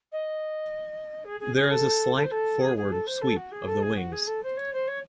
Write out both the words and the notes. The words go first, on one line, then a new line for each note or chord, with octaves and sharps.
There is a slight forward sweep of the wings.
D#5
G#4
G#4
G#4
A4
A4
C5
A4
G#4
G#4
A4
C5
A4
F#4
G#4
A4
G#4
F#4
G#4
A4
C5
C#5
C5
C#5